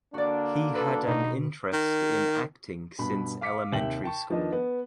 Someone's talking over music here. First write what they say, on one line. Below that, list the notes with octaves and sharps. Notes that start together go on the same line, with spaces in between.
He had an interest in acting since elementary school.
D3 A#3 D4 F#4 D5
A4 B4
B2 D#4
D#3
G2 B2 B5
F5 D6 B6 C#7
D#2 C3 E5 G5 F#7
G5 A5 C#6
D#3 F3 B3 D4 D#5
B3